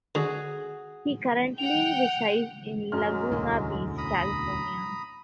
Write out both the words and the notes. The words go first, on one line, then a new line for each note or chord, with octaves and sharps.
He currently resides in Laguna Beach, California.
D3 F#4 G#4
F#5 G5 F7
F#2 F#3 G#3 F6
E1 D2 A2
A#5 B5 D#6